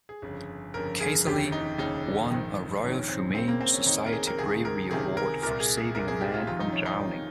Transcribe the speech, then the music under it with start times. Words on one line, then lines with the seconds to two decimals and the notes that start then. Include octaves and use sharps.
Casserly won a Royal Humane Society bravery award for saving a man from drowning.
0.09 G#4
0.22 G1 F2 C#3
0.74 G1 F2 C#3 A#4
1.00 G#4
1.27 F1 D#2 C#3 G4
1.52 D#4
1.78 F1 D#2 C#3 D#4
2.31 A#1 G#2 D#3
2.82 A#1 G#2 D#3 C#4
3.08 C4
3.34 D#2 C#3 C4
3.48 A#3
3.61 C4
3.74 C#4
3.86 D#2 C#3 D#4
4.06 A#4
4.13 G#4
4.27 A#4
4.38 C#2 C3 D#3 G#4
4.65 A#4
4.91 C#2 C3 D#3 G#4
5.17 A#4
5.42 C2 A#2 A#4
5.60 G#4
5.77 G#4
5.95 C2 A#2 A#4
6.08 G#4
6.21 G4
6.34 F4
6.47 F1 F2 C3 D#3 F4
6.60 D#4
6.72 C#4
6.86 D#4
6.99 F1 F2 C3 D#3